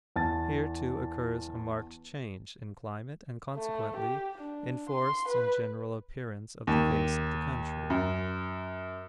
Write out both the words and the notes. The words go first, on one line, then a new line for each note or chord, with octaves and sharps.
Here, too, occurs a marked change in climate and consequently in forests and general appearance of the face of the country.
E2 A5 A6
A3
G4
D4
C6
B4
D#2
F#2